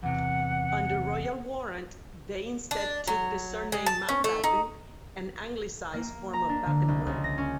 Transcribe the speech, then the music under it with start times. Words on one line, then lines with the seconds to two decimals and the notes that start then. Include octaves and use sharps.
Under royal warrant, they instead took the surname "Mountbatten", an Anglicised form of Battenberg.
0.03 E2 C3 F#5
2.71 D4
3.07 F#3
3.72 G#3
3.86 A5
4.09 C#4
4.24 A3
4.44 D#4
5.93 A#3
6.33 A#5
6.49 D4
6.66 D3
6.88 C2
7.06 C#2
7.24 A#6
7.38 C#4